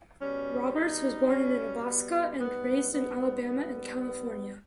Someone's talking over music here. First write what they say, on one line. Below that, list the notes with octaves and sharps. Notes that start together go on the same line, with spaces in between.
Roberts was born in Alaska and raised in Alabama and California.
B2 G3 C#4
D#4
C#4
B3
G#2 G3 B3
B3
B3
B3